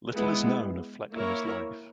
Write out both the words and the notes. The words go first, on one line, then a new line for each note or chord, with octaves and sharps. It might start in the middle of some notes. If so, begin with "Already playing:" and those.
Little is known of Flecknoe's life.
G#3 B3 E4
A#3 E4 A#4 C#5